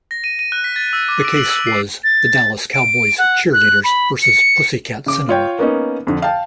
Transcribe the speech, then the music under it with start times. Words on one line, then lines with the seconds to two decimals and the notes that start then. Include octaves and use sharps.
The case was "The Dallas Cowboys Cheerleaders versus Pussycat Cinema".
0.11 A#6
0.24 D#7
0.39 D#7
0.52 F#6
0.64 B6
0.76 A6
0.93 E6
1.09 D6
1.25 D7
1.37 F#7
1.50 E6
1.67 C7
2.04 A6
2.73 D7
3.18 F#5
3.53 F#6
3.84 B5
4.22 C#7
5.06 C#3 D6
5.29 F4 C#5 G5
5.59 A#3 B3 C#4 D#4
6.07 F2 D3
6.22 F5 G5 A5